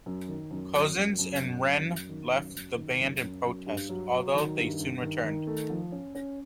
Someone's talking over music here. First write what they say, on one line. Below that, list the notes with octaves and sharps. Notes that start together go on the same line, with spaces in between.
Couzens and Wren left the band in protest, although they soon returned.
F#2
D#3
F#2
F#2
F#2
F#2
F#2
F#2
F#2
D#3
F#2
F#2
D#3
F#2
F#2
F#2
G2
F#3
F#3
D#3
G2
G2
D#3
D#3
A3
F3
C#4
C#4